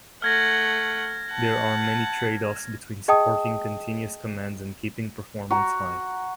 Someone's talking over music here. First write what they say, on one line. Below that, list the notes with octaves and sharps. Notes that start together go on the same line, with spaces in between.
There are many trade-offs between supporting continuous commands and keeping performance high.
A3 F#5 F6 G#6 A#6
F#5 A5
G#4 D#5 G5 A5 D#6
F#4 A#5